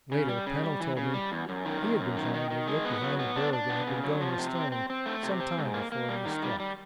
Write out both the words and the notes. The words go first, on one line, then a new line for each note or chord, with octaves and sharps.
Later Pennell told me he had been trying to look behind the berg and had been going astern some time before he struck.
C#3
G3
C#3
G3
E3
C#3
G3
E2
F#2
D#3
F#2
F#2
D#3
D#3
D#3
G#3
B3
F#3
B3
D4
D4
B3
C#3
F#3
F3
C3
C4
C4
C4
A3
C3
C4
G#2
A#3
A#3
G3
D#3
G3
G3